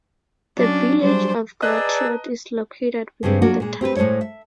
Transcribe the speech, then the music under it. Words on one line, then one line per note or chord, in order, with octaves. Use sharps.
The Village of Gratiot is located within the town.
F#3 C#4 D4
F#3 G3 D4 G#4 C5
G#4 B4 D5 D#5 A5 A#5 E6 F#6
G2 C#3 G3 G#3 C4
F#3 A#3 D4 F4 F#4
A#2 G#3
C4 G4 A#4 B4
A2 G#3 A4 C5 C#5
E5